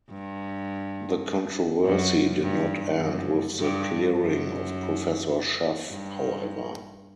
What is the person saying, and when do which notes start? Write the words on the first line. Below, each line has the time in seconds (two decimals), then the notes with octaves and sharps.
The controversy did not end with the clearing of Professor Schaff, however.
0.10 G2
1.85 F#2
2.42 G2
3.00 F#2
3.58 G2
4.17 F#2
5.90 G2